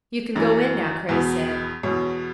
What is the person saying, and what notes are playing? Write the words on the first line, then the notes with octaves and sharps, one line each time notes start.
"You can go in now," Kreta said.
F#2 E3
E2 B2
E2 B2 C#5